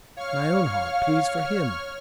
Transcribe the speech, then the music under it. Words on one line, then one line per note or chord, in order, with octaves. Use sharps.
My own heart pleads for him.
C#5 F5 C#6 F6